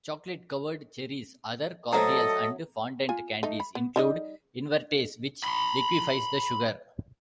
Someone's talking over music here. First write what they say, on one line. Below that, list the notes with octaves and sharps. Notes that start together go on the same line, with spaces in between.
Chocolate-covered cherries, other cordials, and fondant candies include invertase, which liquefies the sugar.
F#3 A3 A4 C5 D#5 A#5
F4 G#5
A3 D#4
B5
B3
G3 D#4 D#5
B5 C6